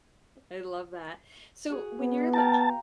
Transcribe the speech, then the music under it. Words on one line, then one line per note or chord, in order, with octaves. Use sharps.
I love that. So when you're, like,
F#4 G#4
B3
F5 G5 A5 A#5